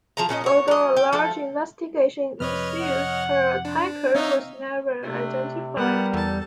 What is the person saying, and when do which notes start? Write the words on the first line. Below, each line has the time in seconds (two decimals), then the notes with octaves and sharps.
Although a large investigation ensued, her attacker was never identified.
0.17 F3 G#4 A#5
0.29 A#2 C#4 D4 D#5
0.44 F#4 C#5
0.68 F#3 D#5
0.97 G4
1.13 F3 A3 A4
2.40 F2 C3 B4 C#5 D#5 F6
2.81 F#5
3.65 D4
4.15 C4 D#4 C#5 E5 F5
5.03 C3 A3 D4
5.77 G3 B3 A#4 F#5
6.13 E2 A4 A5